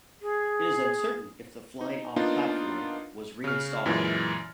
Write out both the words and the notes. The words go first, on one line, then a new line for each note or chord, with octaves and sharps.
It is uncertain if the flying-off platform was reinstalled.
G#4
D#4
A#3 B3 D4 D#4 F4
C#3 F6
F#2 A#2 E3 G#3 E4